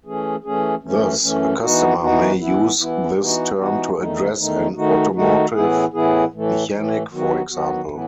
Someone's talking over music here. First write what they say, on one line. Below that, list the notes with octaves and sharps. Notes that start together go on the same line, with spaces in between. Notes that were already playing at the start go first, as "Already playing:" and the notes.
Thus, a customer may use this term to address an automotive mechanic, for example.
E3 A3 C#4 G#4
E3 A3 C#4 G#4
F#2 E3 A3 C#4
F#2 E3 A3 C#4
E3 B3 D#4 F#4
E3 B3 D#4 F#4
E3 B3 E4
E3 B3 E4
E3 B3 D#4 F#4
E3 B3 D#4 F#4
E2 D#3 A3 D#4
E2 D#3 A3 D#4
D#3 A3 D#4 F#4
D#3 A3 D#4 F#4
A2 E3 B3 E4 G#4
A2 E3 B3 E4 G#4
A2 E3 A3
A2 E3 A3
D#3 F#3 B3 F#4
D#3 F#3 B3 F#4
A2 E3 B3